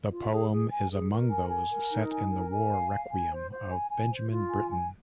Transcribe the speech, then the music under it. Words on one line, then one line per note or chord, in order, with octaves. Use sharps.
The poem is among those set in the "War Requiem" of Benjamin Britten.
F4
G#4
G#4
G#5
G#4
A#4
G#5
G#5
A#4
D#4
G#5
A#4
G#5
F5
F5
G#5
C5
C5
G#5
G#5
C5
F4
G#5
G#5